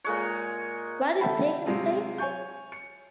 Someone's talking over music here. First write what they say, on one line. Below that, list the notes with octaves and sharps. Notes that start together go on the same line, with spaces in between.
What is taking place?
A#2 G#3 C#5
A4 E5 F#5 G5 A5 B5
C3 F#3 G#3 C4 F4
C#5 G#5 C#6 G6
C#7